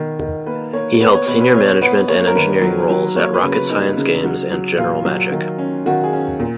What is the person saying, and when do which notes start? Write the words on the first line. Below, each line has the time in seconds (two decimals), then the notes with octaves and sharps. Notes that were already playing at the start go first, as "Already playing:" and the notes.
He held senior management and engineering roles at Rocket Science Games and General Magic.
Already playing: B2 D#3
0.20 D#3
0.47 A#3 B4
0.73 A#3 C#5
1.00 B3 B4
1.14 C#5
1.27 B2 B4
1.41 B4
1.54 B2 C#5
1.81 B3 B4
2.08 A#3 C#5
2.27 A#4
2.35 D#3 B4
2.62 F#3
2.90 F#3
3.16 A#3 C#5
3.34 B4
3.43 C#3
3.52 B4
3.70 A#3 D#4
3.97 C#3
4.24 F#3
4.51 F#3
4.78 A#2 F4
5.05 F#3
5.32 D#3
5.58 C#4
5.86 D#3 F#4
6.04 G#4
6.13 C#4
6.39 A#2